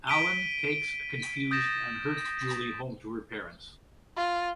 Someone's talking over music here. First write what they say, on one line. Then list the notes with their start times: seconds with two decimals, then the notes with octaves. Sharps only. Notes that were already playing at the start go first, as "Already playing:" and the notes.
Alan takes a confused and hurt Julie home to her parents.
0.07 B6 D7 D#7 G7
1.51 D#6 G6 A6 A#6 E7
4.17 F4